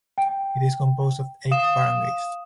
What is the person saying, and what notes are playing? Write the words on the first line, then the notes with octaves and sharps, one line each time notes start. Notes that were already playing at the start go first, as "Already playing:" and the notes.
It is composed of eight barangays.
G5
F5 D#6 E7